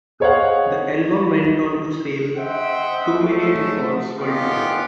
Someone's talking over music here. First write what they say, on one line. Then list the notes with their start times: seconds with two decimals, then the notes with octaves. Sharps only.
The album went on to sell two million records worldwide.
0.20 G#4 C5 C#5 D#5 F5 F#5
2.38 C5 D#5 E5 F#5 G5
3.21 F#3 G#3 A3
4.19 G1 D#3 B3 F4 G4